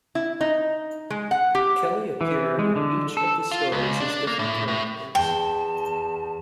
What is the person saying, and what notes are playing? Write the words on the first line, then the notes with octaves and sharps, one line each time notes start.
Kelly appeared in each of the stories as different characters.
E4
D#4
G#3
F#5
G4
E3
G#3
D3
A4
F4
C#2
D4
A#3
A2
A2
E2 G5 A5